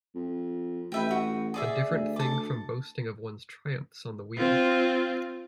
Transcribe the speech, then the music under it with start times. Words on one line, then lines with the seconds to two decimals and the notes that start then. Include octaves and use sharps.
A different thing from boasting of one's triumphs on the wheel.
0.15 F2
0.92 A1 B4 E5 G5
1.11 F#4
1.54 G#4 D5 E5
1.90 D2
2.16 A4 D6
4.37 C4 F4